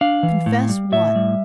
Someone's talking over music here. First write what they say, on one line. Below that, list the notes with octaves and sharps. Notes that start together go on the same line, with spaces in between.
"Confess what?"
D4 F5
E3
A2
G3
A2 E5
G3